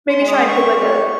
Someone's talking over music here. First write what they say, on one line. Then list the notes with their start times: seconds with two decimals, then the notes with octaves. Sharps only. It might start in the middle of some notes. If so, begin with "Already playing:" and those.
maybe try and pick, like, a
0.10 C6
0.20 G#3
0.28 D#6
0.48 C4 C#6
0.76 G4